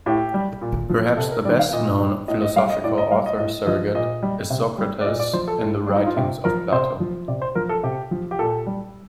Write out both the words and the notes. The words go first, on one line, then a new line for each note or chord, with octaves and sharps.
Perhaps the best-known philosophical author-surrogate is Socrates in the writings of Plato.
A2 G4
G3
A#2
F3
C3 A4
A#4
D#3 G3 D5
F5
A#2 D#5
G3
A2 D#5
D#5
G3 F5
D#5
A2 D5
D#5
G3 F5
D#5
A2 D#5
F3 D#5
A#2 D#5
G3
C3
G3
D5
A#2 D#5
D5
F3 C5
A4
A2
G3 D4
D#4
F4
C3 G4
F3 A#4
C3 C5
F3
C3 D5
C5
F3 A#4
A4
C3 G4
F3
G4
A#2 A4
G3